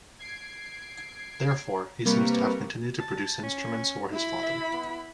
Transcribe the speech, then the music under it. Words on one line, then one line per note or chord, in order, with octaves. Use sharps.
Therefore, he seems to have continued to produce instruments for his father.
G#6 C7 D7
C3 G3 A#3 A#4 B4 C#6
A5
C#4
E4 B5
E5
B3